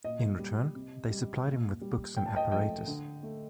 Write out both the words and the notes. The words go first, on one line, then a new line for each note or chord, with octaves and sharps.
In return, they supplied him with books and apparatus.
A#2 D#5
G3
C3
G3
A#2
G3
A2 G5
A5
D#5 G5
F3 A3 D#5 G5
D3
A3